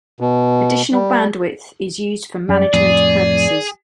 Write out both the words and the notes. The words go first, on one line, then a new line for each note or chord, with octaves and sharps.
Additional bandwidth is used for management purposes.
B2
G3
F#2 D5
F2 A2 G#4